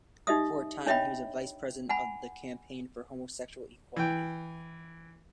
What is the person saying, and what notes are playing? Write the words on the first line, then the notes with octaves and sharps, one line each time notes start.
For a time, he was a vice-president of the Campaign for Homosexual Equality.
D#4 G4 D#5 E5 D#6
D4 C#5 D#5 E5 G5 B5
F#5 G#5 B5
E3 G5